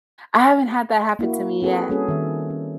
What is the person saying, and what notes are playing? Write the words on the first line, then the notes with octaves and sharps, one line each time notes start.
I haven't had that happen to me yet.
A#3 E4 F#4
C4 F#4 G#4 A4 B4
G3 A#3 C#4 F#4 G#4 A4
D#3 E5
C#4